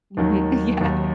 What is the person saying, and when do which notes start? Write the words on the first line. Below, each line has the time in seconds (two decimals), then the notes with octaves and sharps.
Mhm, yeah.
0.17 D#2 D#3 F#3
0.80 D#2 D#3 F#3